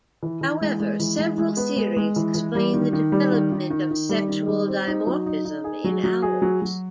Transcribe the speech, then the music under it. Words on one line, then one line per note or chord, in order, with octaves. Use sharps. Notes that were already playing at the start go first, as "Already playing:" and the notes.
However, several theories explain the development of sexual dimorphism in owls.
E3
E3
G#3
G#3
E3
G#3
G#3
B3
G#3
G#3
E3
E3
G3
D#3
D#3
G3
D#3
D#3
D#3
D#3
G3
D#3
G3
C4
D#4
F#3
D#4
D#4
G#4
F#3
F#3
G#4
F#3
F#3